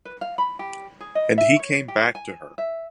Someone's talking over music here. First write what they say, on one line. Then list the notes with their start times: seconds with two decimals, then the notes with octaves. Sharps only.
And he came back to her.
0.05 B4
0.21 F5
0.38 B5
0.59 G4
1.01 G#4
1.15 D#5
1.38 E5
1.59 C#5
1.88 G4
2.15 G#5
2.58 E5